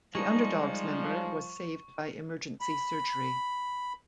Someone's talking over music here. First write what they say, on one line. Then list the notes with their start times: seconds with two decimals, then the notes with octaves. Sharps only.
The Underdogs member was saved by emergency surgery.
0.15 F3 G3 G#3 D#4 C#6
2.61 B5